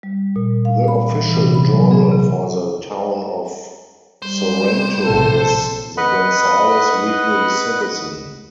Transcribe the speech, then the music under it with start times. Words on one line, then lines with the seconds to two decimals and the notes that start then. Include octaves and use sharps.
The official journal for the Town of Sorrento is "The Gonzales Weekly Citizen".
0.03 G3
0.36 A#2
0.65 F5
0.88 B5
1.10 E3
1.34 C3
1.55 B5
1.69 F#3
1.91 G#4
2.12 C3
4.22 G3 C5
5.05 A#1 A2 C3 A4
5.97 B4 D#5 F#5 B5